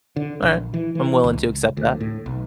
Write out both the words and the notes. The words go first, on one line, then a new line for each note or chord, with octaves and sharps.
Alright. I'm willing to accept that.
D3
A#1
E3
E3
C#2
D2
A2
B1